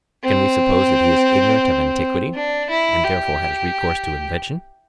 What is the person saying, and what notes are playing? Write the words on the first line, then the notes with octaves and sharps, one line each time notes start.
Can we suppose that he is ignorant of antiquity, and therefore has recourse to invention?
C4
D4
E4
G4